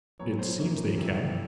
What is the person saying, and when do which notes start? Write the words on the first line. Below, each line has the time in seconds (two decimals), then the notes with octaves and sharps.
"It seems they can."
0.19 A#2 F#3 B3 C#5
0.39 C5
0.58 F#2 C#3 F3 A#3 C#5
0.98 F2 C3 E3 A3